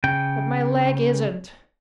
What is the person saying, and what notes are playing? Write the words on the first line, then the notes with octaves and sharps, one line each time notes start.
But my leg isn't.
C#3 G5